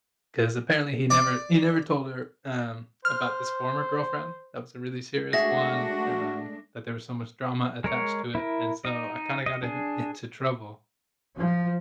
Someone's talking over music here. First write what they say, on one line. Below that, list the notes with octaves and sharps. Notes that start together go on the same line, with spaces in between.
'Cause apparently, he never he never told her, um, about this former girlfriend, that was a really serious one, um, that there was so much drama attached to it, and so, I kinda got him into trouble,
D5
C5 F6
G#3 A3 D4 F#4 G#4 E5 A#6
G#3 A#4 C#5
E4 A#4
D#4 D#5
D#5
D4 G#4
F3